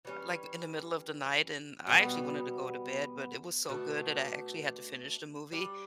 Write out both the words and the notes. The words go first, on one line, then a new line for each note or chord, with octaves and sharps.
like, in the middle of the night and I actually wanted to go to bed but it was so good that I actually had to finish the movie
E3 G3 C#4
B2 G3 B3
B2 A3 D4
G3 D4 G4